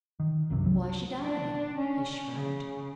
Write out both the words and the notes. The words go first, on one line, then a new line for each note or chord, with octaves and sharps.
"Why should I?" he shrugged.
D#3
F#1 C2 F#2 C3
C2 F#3
D4
C#4
C#3